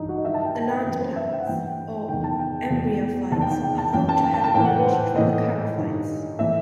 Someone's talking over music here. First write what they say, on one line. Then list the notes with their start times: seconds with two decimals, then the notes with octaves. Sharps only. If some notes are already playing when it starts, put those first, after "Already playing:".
The land plants, or embryophytes, are thought to have emerged from the charophytes.
Already playing: G2 E3 D#4
0.09 F#4
0.18 D#5
0.25 G2 D#3 E5
0.34 A5
0.44 G5
0.55 A5
0.70 G5
0.85 F#2 E3
0.92 B4
1.01 C5
1.16 E5
1.32 G5
1.40 F#5
1.47 G2 E3 G5
2.09 E2 D#3 G5
2.24 A5
2.39 G5
2.70 E2 B2
3.32 E2 A5
3.35 D#3
3.41 G5
3.51 G5
3.63 G5
3.78 A5
3.93 F#2 E3 G5
4.09 A5
4.24 G5
4.34 A5
4.44 A5
4.54 A2 G5
4.58 E3
4.65 F#5
4.78 B4
4.85 C5
5.16 A2 E3 D#5
5.77 G2 D#3
6.38 A2 E3 E5